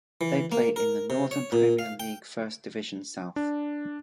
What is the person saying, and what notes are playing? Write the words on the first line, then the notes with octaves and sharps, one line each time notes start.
They play in the Northern Premier League First Division South.
E3
A#3
A#4
C3
C#5
A#2
F5
G5
D4